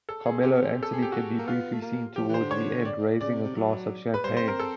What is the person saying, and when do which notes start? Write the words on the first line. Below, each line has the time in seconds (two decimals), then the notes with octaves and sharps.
Carmelo Anthony can be briefly seen towards the end, raising a glass of champagne.
0.09 A4
0.26 G#4
0.42 C4 G4
0.52 B3
0.62 C4
0.83 A4
0.93 G#4
1.02 G4
1.12 F#4
1.39 A#3
1.47 B3 F4
1.73 A3
1.82 A#3
2.16 F3 G4
2.29 E3
2.34 C5
2.40 D3
2.51 C#5
2.85 D5
3.21 C#3 D5
3.32 C3
3.43 C3
3.56 F#3
4.14 B4
4.24 G3 C5
4.37 C5
4.42 C4
4.48 A#4
4.59 A4